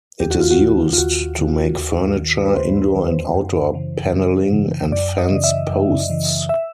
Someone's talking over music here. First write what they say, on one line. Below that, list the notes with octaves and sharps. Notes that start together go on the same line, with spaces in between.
It is used to make furniture, indoor and outdoor panelling, and fence posts.
D#2 G4
F#4
F4
F#4
D#3
F4
D#2 F#4
D#3
D#2
D#3
B4
D#2 C5
D#3
F#2
C#3 E3
F#2
C#3 E3
F#2 D5
D#5
C#3 E3
E5
F#2
C#3 E3
E5